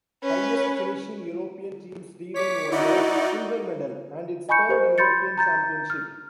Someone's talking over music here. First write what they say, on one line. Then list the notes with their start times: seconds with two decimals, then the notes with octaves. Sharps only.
Highest finishing European team Sweden won the silver medal and its third European Championship.
0.23 C#4 B4
2.36 C#5 D6 B6
2.72 D#4 E4 F#4 D5
4.49 D#5 G#5 B5 C#6 G6 C#7
4.69 G4 C5 D#5
4.98 B5 C6 G6 A6 C#7
5.38 A#5 G6 A6
5.90 F6